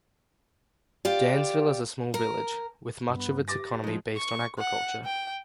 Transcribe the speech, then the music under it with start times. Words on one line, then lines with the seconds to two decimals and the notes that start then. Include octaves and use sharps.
Dansville is a small village, with much of its economy based on agriculture.
1.05 F4 G4 D5
2.14 A#4
3.10 G2 B3
3.48 G4 D6 A6 A#6
3.84 F3 G#3 D#4
4.17 C#6
4.59 F#5
5.05 G5